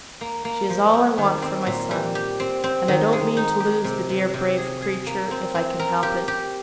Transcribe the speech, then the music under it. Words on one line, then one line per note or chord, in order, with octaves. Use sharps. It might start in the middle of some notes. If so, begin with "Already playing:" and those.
She is all I want for my son; and I don't mean to lose the dear, brave creature if I can help it.
A#3
A#3
F3
C4
D#3
C4
A#2
G3
G4
C4
C4
D#3
G#3
D#4
G4
C3
C3
C3
G#4
G#4
A#3
C4
C4
A#4
G4
G4